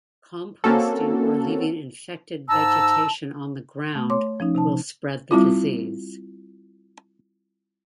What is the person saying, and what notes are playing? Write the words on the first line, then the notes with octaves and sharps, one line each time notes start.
Composting, or leaving infected vegetation on the ground will spread the disease.
A#3 C4 C#4 F#4 A4
G#2 A5 A#5 E6
A3
C#5 C6 D6
F3 C#4 D#4
C3 D#4 A5
G3 C4 E4 F4